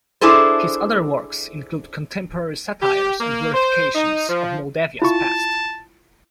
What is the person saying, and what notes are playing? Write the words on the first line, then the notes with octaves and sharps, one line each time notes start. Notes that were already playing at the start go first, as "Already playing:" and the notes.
His other works include contemporary satires and glorifications of Moldavia's past.
D4 E4 G#4 A4 C5
G4
A#3
C5
D#4
F3
E4 F4 A5 C#6